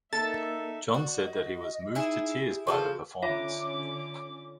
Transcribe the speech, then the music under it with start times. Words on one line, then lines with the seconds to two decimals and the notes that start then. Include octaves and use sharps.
John said that he was "moved to tears" by the performance.
0.13 A#3 D#4 A4 E5 A6
0.94 F#4 D5
1.26 D#5
1.95 D#4 E4 G#4 E5
2.39 G4
2.67 C#3 F3 F#4 A4
3.22 D3 C#4 F4 C#5 E5 B5 D6